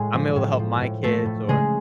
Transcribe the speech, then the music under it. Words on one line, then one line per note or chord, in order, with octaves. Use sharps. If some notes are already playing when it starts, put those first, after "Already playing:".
I'm able to help my kids or,
Already playing: A2 G#3 G#4
F3
A2
F3
A2
F3 A3 A4
A2
C#3 G#3 G#4